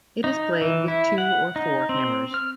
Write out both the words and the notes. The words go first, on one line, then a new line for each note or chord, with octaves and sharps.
It is played with two or four hammers.
D#4
E3
E4
F#5
D#4
C4
F6